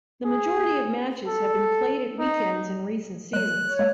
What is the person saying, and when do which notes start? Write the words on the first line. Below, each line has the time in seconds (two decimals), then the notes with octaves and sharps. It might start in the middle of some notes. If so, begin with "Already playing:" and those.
The majority of matches have been played at weekends in recent seasons.
0.25 G#4
1.28 A4
2.19 D#4
3.33 F#3 G#3 F#6
3.65 C#5
3.79 G#3 A#3